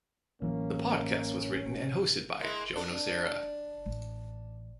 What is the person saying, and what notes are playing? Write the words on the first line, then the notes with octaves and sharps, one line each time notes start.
The podcast was written and hosted by Joe Nocera.
A1 E3 F#3 A#3 C#4
G#3 A#3 E4
D4
A1